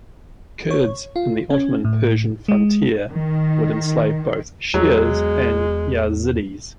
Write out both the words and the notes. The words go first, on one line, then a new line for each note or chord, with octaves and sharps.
Kurds in the Ottoman–Persian frontier would enslave both Shias and Yazidis.
C#5
F4
C#4
A2
G#3
D#3
E2 F#3 G#3